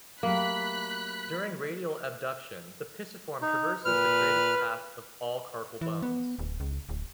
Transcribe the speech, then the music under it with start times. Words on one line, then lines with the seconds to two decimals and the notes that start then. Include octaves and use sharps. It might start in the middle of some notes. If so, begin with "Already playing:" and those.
During radial abduction the pisiform traverses the greatest path of all carpal bones.
0.23 F#3 A3 A#3 G4 B5 F#6 B6
3.42 D#4
3.85 A#2 B4 F6
5.81 E3
6.02 B3
6.39 D1
6.60 C#2
6.89 D1